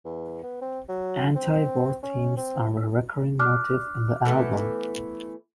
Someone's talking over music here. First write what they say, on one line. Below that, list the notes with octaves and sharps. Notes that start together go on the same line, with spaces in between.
Anti-war themes are a recurring motif in the album.
E2
B3
C4
F#3
C4
C#4
C4
D4 D6 F6 F#6
E3 A3 B3